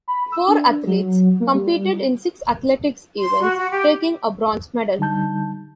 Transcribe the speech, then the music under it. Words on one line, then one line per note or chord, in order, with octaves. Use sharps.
Four athletes competed in six athletics events, taking a bronze medal.
B5
E6
D4
F#3
A#3
G3
C6
F#4
F#4
G4
D3 G3 D#4 A5 G6